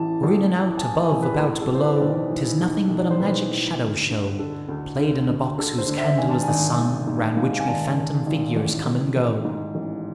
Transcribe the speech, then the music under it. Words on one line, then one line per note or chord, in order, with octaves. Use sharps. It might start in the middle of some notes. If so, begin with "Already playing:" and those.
For in and out, above, about, below, 'Tis nothing but a Magic Shadow-show, Play'd in a Box whose Candle is the Sun, Round which we Phantom Figures come and go.
Already playing: A1 A2 E3 A5
A1
E3
A5
E3 G#5
G#5
A1
B4
B4
A2 A4
A4
E3 C5
B4
D5
B1 C5
E3
B1
B1
D5
C5
B1 B4
A2
D2
D3
D3 A4
D2
D3
D2
D3 A4
C5
D3
E5
G#1 G#5
A5
G#5
G#1
G#1
G#2
G#2 F5
F5
G#5
G#1 A5
G#1
G#1
A1
A1
A1
G#2
A1